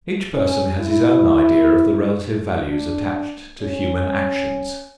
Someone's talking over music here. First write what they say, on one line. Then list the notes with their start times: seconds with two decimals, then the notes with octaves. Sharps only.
Each person has his own idea of the relative values attached to human actions.
0.33 C#4
0.80 E4
2.68 D4
3.62 C#4